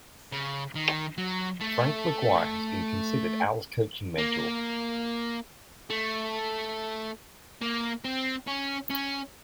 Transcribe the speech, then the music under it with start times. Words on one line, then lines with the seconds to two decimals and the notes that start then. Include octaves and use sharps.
Frank McGuire has been considered Al's coaching mentor.
0.32 C#3
0.75 D#3
1.18 F#3
1.61 A3
4.18 A#3
5.90 A3
7.62 A#3
8.05 C4
8.47 C#4
8.90 C#4